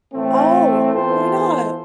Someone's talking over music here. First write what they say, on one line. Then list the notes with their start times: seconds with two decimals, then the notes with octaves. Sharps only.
Oh! Why not?
0.12 A2 E3 A3 C4
0.92 E3 B3 F4 A4 C5